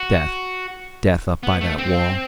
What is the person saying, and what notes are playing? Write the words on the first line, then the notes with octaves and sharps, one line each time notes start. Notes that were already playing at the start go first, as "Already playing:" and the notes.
Death, death up by that wall.
Already playing: F#4
B3
A3
C4